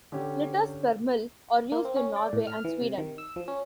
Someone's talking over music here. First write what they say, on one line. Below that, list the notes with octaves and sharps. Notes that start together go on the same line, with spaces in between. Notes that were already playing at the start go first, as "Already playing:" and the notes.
Litres per mil are used in Norway and Sweden.
D3 C#4 G4
A#3
C4
C#4
D5
A2
F6
E3
C3
D#3
E6
F3
C#4